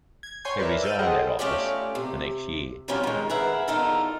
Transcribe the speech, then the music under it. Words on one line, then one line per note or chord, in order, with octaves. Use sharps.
He resigned that office the next year.
G#6
C#5 G#5 C6 G6 G#6
A#4 B4 D5 E5
E6 F6 G6 A6 D7 D#7
G#4 A4 C5 D#5 F#5 G5
A3 C#4 F4 G4 D5 D#5
C3
D#3 F#3 G3 C4 C#4 F4
D#3 G#3
G#4 A#4 B4 E5 F#5
E2 D3 D#4 F4 A4 A#4